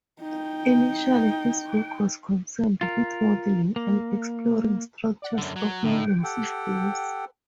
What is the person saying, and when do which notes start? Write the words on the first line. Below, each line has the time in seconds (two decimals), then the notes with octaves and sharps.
Initially his work was concerned with modelling and exploring structures of living-systems.
0.21 D#4 G5
2.81 F4 A#4
3.76 A#3
5.22 D5 F#5
5.38 F#2 D3
5.56 F#3
5.84 A2 D3 A3 D#4
6.23 G4 A4 F#5 G5